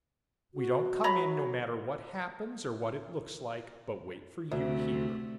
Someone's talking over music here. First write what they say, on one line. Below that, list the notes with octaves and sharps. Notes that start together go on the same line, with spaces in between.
We don't come in, no matter what happens or what it looks like, but wait for you here.
F#4
C#5 A#5 B5
D2 C3 A3